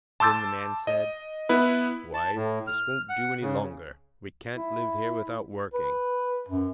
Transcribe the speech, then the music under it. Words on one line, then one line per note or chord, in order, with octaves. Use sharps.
Then the Man said: 'Wife, this won't do any longer; we can't live here without working.
A5 C6 D6 E6 G6 A6
D#5
B3 E4 B4
A5
A2
F6
F#5
C#3
E4
B4
F#2